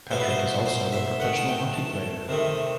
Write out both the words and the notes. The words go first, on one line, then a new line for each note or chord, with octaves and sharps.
Patrick is also a professional hockey player.
B2 F#3 A3 C5
B4
C5
C5
E5
D#3 A3 F#5
A5
G5
A5
C3 D#3 A3